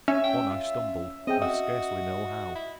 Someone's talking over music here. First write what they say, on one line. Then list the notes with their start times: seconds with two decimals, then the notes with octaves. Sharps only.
On I stumbled, I scarcely know how.
0.08 C#4 E5
0.24 G5
0.50 F4
1.27 C4 G#4 D#5 G5
1.42 F#4 D#5 E5 D#6
2.55 E4